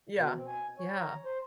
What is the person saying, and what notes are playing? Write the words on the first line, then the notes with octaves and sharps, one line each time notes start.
Yeah, yeah.
B2
C4
G#5
C#5
A#5
C5